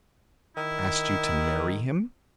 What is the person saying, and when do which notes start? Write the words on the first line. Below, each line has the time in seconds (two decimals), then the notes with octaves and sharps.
"Asked you to marry him?"
0.57 D#3 E4